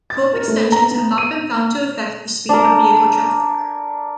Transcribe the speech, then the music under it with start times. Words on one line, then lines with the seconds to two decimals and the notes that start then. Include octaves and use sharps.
Curb extensions have not been found to affect the speed of vehicle traffic.
0.10 A6
0.34 A#4
0.48 A3
0.72 A#5
0.91 B3
1.18 D#7
2.49 D4 A#4